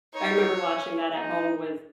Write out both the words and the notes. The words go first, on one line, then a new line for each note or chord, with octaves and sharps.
I remember watching that at home with,
D#4 C#5
C#4
D#4